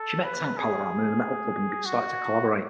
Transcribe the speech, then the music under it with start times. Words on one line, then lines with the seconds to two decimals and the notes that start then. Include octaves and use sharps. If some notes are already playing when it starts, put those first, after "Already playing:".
She met Tank Palamara in a metal club and they started to collaborate.
Already playing: A4
0.24 B4
0.57 G#4
1.86 F#4